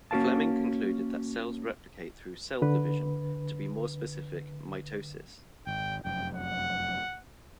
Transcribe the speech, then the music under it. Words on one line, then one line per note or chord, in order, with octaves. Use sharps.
Flemming concluded that cells replicate through cell division, to be more specific mitosis.
A#3 C#4 F#4 A#4 F5 A5
D3 B4
G#1 G5
F1 F#2 G5
F#5